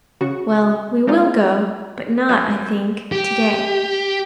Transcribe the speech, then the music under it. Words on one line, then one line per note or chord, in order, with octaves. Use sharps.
Well, we will go: but not, I think, to-day.
C#3 F#4 C#6
G#3 C4 D4 D#4 F4
F#2
G4